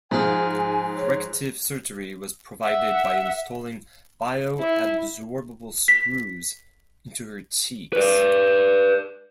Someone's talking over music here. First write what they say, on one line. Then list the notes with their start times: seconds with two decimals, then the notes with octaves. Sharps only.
Corrective surgery was provided by installing bioabsorbable screws into her cheeks.
0.11 G#2 F3 G#4 F5 G#5
0.96 C#5
2.64 E5 F#5
4.59 E4
5.88 B6
7.93 B4 D5